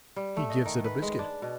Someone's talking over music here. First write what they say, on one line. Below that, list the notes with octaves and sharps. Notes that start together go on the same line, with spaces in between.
He give it a biscuit.
G3
A3
D#5
D#3
B4
G#3
D4
B2